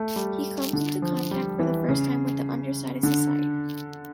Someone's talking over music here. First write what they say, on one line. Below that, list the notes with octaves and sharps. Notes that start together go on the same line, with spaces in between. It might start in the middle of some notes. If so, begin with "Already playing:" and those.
He comes into contact for the first time with the underside of society.
Already playing: A3
G3
D3
F3
G3
E3
C#3
D3